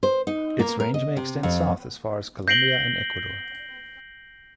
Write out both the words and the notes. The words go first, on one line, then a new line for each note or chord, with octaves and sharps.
Its range may extend south as far as Colombia and Ecuador.
C5
D#4
A#3
A#4
D#5
C3
F2
G6 A#6 C7 D7 F#7 G7